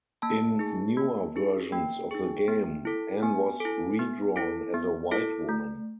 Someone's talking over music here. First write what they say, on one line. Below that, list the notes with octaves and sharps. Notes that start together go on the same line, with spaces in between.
In newer versions of the game, Anne was redrawn as a white woman.
A#3 A5
D#4 G#4
A#3
D#4 G#4
A#3 G5
D#4 G#4
B3
E4 A4
B3 G#5
E4 A4
B3
E4 A4
B3
E4 A4
A3